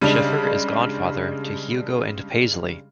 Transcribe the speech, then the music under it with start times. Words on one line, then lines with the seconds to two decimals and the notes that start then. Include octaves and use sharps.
Sheffer is godfather to Hugo and Paisley.
0.02 C#3 G3 G#3 D4